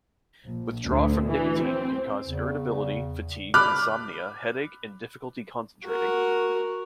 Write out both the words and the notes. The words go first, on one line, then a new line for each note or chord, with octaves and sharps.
Withdrawal from nicotine can cause irritability, fatigue, insomnia, headache, and difficulty concentrating.
A#1
D2
E3
C4
E2 C#3
B5 D6 F6 F#6
F#4 A#4